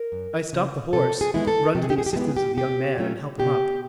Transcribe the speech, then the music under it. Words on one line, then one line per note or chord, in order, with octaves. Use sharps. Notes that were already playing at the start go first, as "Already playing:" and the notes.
I stop the horse, run to the assistance of the young man and help him up.
Already playing: A#4
F#2
C#3 E3
C3 A4
G#4
E3 G#3 B3 E4
A4
C3 G4
G#4
G4
G#4
G4
G#4
E3 G#3 B3 E4
G4
G#4
G4
B2 G4
F#3 A3 C#4 F4
B2 G4